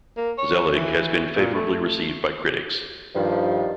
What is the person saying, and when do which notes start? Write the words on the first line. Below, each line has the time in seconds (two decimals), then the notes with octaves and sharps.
"Zelig" has been favorably received by critics.
0.17 A#3
0.38 C#5
0.76 E3
1.36 A#2
1.54 A3
3.15 G2 D#3 F3